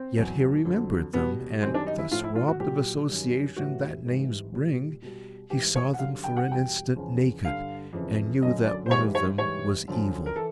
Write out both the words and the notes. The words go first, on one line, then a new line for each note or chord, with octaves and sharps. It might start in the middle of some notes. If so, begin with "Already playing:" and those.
Yet he remembered them; and, thus robbed of association that names bring, he saw them for an instant naked, and knew that one of them was evil.
Already playing: C4
E2 B2 F#3
F2 D3 F#3
B2 G3 B3
F#2 D#3 G3 C4
D4
D#4
E4
A2 F3 F4
E4
F4
F#4
A#2 F#3 G4
F#2 D#3 G3
A2 E3 G3 F#4
G#2 E3 G3
A#2 G3
B2 G3
G#2 E3 G3 G4
C#5
F#5
F#2 D3 G3 F5
G5
F#5
E2 B2 G3 G5
E2 C#3 F3
G2 D3 G3 F5
F2 C#3 E3
F#2 D3 F#3 D#5
D5
C5
G#2 E3 G3 C#5
C#5
G#2 E3 G3 C#5
F#2 D3 F3
A#4
E3 A4